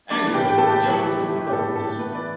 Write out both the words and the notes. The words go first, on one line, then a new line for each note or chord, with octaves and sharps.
Angered, John kills the bird.
A3 D4 D5
E3
G4 G5
A2
G5
A2 A4 A5
G4 G5
A2
E3 A4
E3 G4
A3
A3
G4
A2 A4
A2
A4
A2
E3 B3 B4
E3 D5